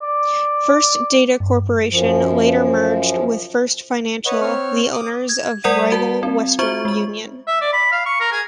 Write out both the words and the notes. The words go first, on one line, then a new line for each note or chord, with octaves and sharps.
First Data Corporation later merged with First Financial, the owners of rival Western Union.
D5
G2
F#2 F3
B4 C#5 D#5 F#5
C4 C#5 F6
D6 D#6
G#6
G3 A#4 D5 F#5 B6 D#7
F#4 A5
C4
F4 F#4 C5 E5 C#6
G#3 C#6
E5
D5
B5
F5
C#6
A#4
G#4